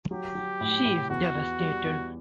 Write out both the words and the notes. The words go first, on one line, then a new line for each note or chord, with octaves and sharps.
She is devastated.
F#3 G4
F#3
A2
A2
E2 F#4
E2
G3
E2